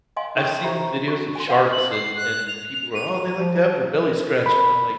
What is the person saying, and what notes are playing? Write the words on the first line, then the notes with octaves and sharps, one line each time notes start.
I've seen the videos of sharks and and people are, "Oh, they like to have their belly scratched," and I'm like,
D#5 F5 G#5 C6
D#4 A4 G5 C#6
F#4 G4 C5 E5 A#5 C#6
F#4 C#6
G#5 C6
B4 D5 F5 F#5 G#5 C6
F#7
C7
F#6
F7
D#7
F3
A#4
B5